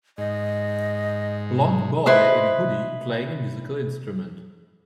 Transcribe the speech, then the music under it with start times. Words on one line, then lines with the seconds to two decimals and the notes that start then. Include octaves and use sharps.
Blond boy in a hoodie playing a musical instrument.
0.18 G#2 D#5
2.06 E4 B4 C5 D#5